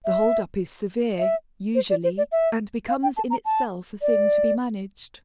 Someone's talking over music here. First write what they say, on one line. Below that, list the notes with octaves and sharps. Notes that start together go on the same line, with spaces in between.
The hold-up is severe, usually, and becomes in itself a thing to be managed.
E5
E5
C5
D5
C5
D5
E5
F5
G5
A5
A#5
A5
D5